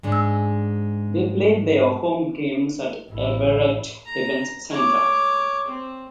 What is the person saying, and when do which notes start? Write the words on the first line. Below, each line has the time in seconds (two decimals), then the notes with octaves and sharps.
They played their home games at Everett Events Center.
0.03 G#2 G#3 D4
3.08 A1 E4
4.05 A#5
4.69 C#5 D6
5.68 C4